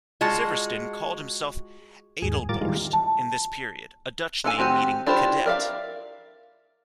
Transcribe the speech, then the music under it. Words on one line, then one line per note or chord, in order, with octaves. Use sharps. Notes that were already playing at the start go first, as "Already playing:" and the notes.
Sivertsen called himself "Adelborst" in this period, a Dutch name meaning "cadet".
G#3 F4 F#4 A5
D#2 G#2 G#4
A2 G3 F4 A#4 D6 A6
D#3 E3 G3 G#3 F4
A5
D4 A4 F5 G#5
D#3 C4 F#4 G4 G#5
D4 E4 F4 G4 C5
A#4 D5 E5 F5